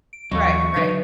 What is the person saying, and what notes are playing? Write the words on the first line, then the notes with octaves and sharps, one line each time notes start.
Right, right.
D7
D#2 E3 F#3 C4 D#5 F5 C#6
D3 F#3 D#4 B4